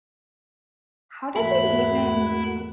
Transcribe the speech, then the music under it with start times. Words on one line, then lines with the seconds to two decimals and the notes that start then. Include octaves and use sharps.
How did they even
1.36 E2 G#2 A3 A#3 E4 F#4 E5 B5